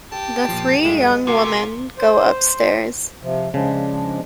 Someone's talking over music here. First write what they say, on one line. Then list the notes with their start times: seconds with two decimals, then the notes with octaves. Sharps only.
The three young women go up-stairs.
0.12 G4 A5
0.48 A#2 F3
0.84 G2 G#3 A3 F4
1.27 C3 A#3 F#4 F5 G#5
1.98 C5
3.23 C3 F3
3.54 C#3 F3 G#3 D4